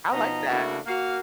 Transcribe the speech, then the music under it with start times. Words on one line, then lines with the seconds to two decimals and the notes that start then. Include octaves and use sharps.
I like that.
0.13 B2 F3 B3 D#4 D#5 A#5
0.49 C#3 A3 A#3 D4 E4 F#4
0.87 A#3 F#4 F5